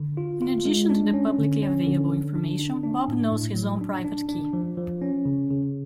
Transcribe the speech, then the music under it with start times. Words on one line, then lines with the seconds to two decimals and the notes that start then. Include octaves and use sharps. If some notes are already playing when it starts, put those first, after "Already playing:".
In addition to the publicly available information, Bob knows his own private key.
Already playing: D3
0.17 F4
0.42 F4
0.65 G#3
0.90 D4
1.14 C#4
1.38 D3
1.62 C#4
1.87 D3
2.11 D3
2.35 D4
2.59 D4
2.83 D4
3.08 A2
3.31 A2
3.56 F#3
3.81 D4
4.05 D4
4.29 D4
4.53 F3
4.77 F3
5.02 C#4
5.25 C#3
5.50 C#3